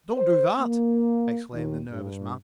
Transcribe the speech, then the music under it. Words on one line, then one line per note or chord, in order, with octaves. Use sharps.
"Don't do that!" exclaimed the nervous man.
C5
A#3
D#2
G2